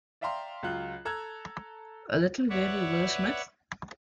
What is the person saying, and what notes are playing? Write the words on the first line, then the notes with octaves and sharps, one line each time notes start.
A little baby Will Smith?
D5 E5 F5 G5 A#5 C6
C#2 F#3 F4 F#6
A4 A5 A#5 E6 F#6 G#6
B4 C#5 D5 E5 F#5